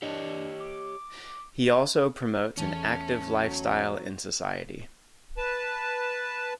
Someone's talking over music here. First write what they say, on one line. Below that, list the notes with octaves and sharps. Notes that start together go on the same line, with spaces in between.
He also promotes an active lifestyle in society.
D4 G4 C#5 D#5
D6
E2 A3 C#4 A5
F#3
B4 A5